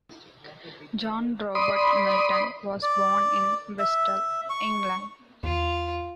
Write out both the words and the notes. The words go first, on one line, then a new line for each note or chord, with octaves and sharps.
John Robert Milton was born in Bristol, England.
D5 B5 C6 D#6
D5
E5
C#6
E2 F4